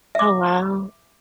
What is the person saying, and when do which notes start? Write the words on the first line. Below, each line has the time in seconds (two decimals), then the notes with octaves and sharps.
Oh, wow.
0.15 E5 D6